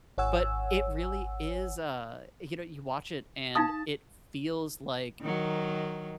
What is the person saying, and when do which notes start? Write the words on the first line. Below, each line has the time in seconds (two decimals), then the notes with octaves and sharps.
but it really is, uh you know, you watch it, and it feels like
0.18 G#1 C#5 F#5 G#5 E6
3.55 D#4 F5 A5 D#6
5.21 D#3 F#3